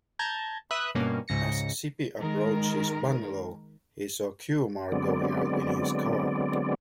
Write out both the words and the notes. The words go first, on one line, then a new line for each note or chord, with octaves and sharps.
As Sippy approached his bungalow, he saw Kumar going out in his car.
A5 A#5 G6 G#6
B4 E5 D#6 F#6
G2 B2 A#3 C#4
C#2 G#2 C#3 A#6 C#7
D#3 G#3 A#4
D3 F#3 G#3 B3 C4 D5